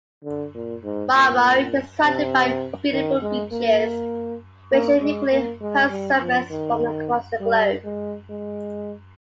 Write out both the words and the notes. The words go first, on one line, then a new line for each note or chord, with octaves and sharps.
Marmari is surrounded by beautiful beaches which frequently host surfers from across the globe.
D3
A#2
G#2
A#2
C3
D#3
G#3
A#3
A#3
G#3
A#3
G#3
G3
F3
D#3
G3
G#3
G#3